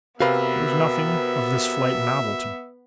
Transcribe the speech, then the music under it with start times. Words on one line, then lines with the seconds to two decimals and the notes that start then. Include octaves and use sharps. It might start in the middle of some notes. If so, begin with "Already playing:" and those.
There was nothing of this flight novel to me.
0.20 C3 B3 F#4 A#4 B4 E5 F5